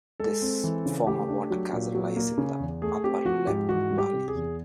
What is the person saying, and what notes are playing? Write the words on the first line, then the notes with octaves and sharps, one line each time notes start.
This former water castle lies in the upper Leppe valley.
G#3 A4
C4
E3
C#3
A3 G4
D4
F#3
A#2
F#3
A#3
C#3
E2
A3 G#4
C4 G4
F3 F#4
G#2 G4
E3 F#4
G3
G4
C3
G#4
E2